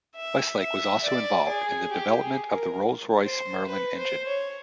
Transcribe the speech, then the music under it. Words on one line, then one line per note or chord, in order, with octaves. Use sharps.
Weslake was also involved in the development of the Rolls-Royce Merlin engine.
E5
E5
D5
G#4
G4
G#4
A#4
C5
B4
C5
C#5